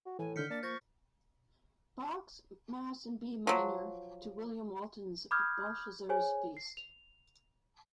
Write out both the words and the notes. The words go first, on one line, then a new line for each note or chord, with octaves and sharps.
Bach's Mass in B Minor to William Walton's Belshazzar's Feast.
F#4
A2 E3 G#5
D3 D#3 F6 G6 B6 C#7
A#3 D4 A6
F3 C#6 G6 A6 A#6
F3 F#3
B5 D6 D#6 F6 G6 G#6
G#4 C5 C#5 G#5
C7
F7